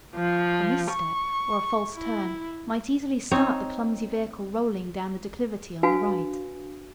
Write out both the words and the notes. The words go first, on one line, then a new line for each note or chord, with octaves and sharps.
A misstep or a false turn might easily start the clumsy vehicle rolling down the declivity on the right.
F3
C#6
E4
C4 D#4 C#5
D4 F#4 B4 F5 G#5